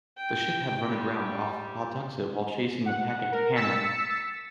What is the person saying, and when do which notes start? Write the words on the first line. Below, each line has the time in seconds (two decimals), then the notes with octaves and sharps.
The ship had run aground off Pawtuxet while chasing the packet "Hannah".
0.17 G5
0.89 G3
2.86 F#5
3.32 A#4
3.55 E6 A6 B6 C#7 E7